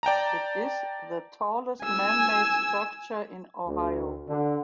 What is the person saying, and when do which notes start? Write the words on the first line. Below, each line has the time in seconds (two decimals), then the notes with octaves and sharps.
It is the tallest man-made structure in Ohio.
0.03 D5 G5 A5 A#5
1.83 G#5 E6
3.66 D2
4.28 D3